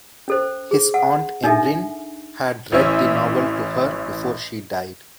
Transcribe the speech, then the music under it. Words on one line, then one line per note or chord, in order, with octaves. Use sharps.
His Aunt Emrine had read the novel to her before she died.
C#4 A4 C5
G#4
F#5
D4 D#4 A4 E5
A1 C#4 E4 E5